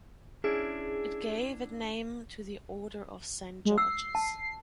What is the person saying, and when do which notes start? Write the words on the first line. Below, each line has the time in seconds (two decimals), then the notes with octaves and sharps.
It gave it name to the Order of Saint-Georges.
0.44 C#4 D4 E4 G#4
3.65 G#3
3.78 E6 C7
4.15 A5